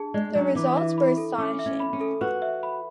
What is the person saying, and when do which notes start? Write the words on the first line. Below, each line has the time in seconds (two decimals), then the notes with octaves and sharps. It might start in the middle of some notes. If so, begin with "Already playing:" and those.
The results were astonishing.
Already playing: D4 G#4 A5
0.14 G#3 D5
0.35 F#3 D4
0.55 E3 D6
0.77 E5
0.98 B5
1.17 A4
1.38 C#4 D6
1.59 E5
1.66 C#4
1.80 B5
1.93 C#4
2.01 A4
2.21 F#4 B4
2.42 E5
2.63 B5